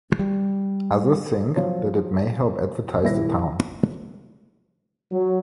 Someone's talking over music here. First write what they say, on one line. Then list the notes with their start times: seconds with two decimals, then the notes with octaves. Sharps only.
Others think that it may help advertise the town.
0.19 G3
1.56 F3 F#3 C#5
3.03 D#1 C2 A#2 E4 B4 A#6
5.12 F#3